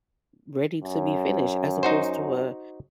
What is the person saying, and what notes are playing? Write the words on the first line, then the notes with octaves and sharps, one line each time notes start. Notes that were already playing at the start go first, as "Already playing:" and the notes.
ready to be finished, as opposed to a
F#2
D#4 F#4 C5